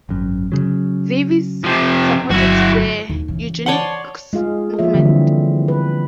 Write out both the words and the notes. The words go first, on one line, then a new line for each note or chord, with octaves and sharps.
Davis supported the eugenics movement.
G#1 F#2
C#3 F#3
C3 F3
G1 F#3 E4 F#4
D#2
C#3 E3
C#5 D5 F#5 A5 C6
G#3 F4 G#4 F5
F3 A#3 F4 A4 C#5 E5
D3 E3 G3 C4
B4